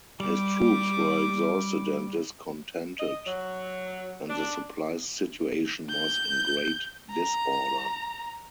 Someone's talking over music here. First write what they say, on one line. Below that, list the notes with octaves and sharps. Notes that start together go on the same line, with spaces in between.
His troops were exhausted and discontented, and the supply situation was in great disorder.
G3 D6
D#5
F#3
D4
G6
A#5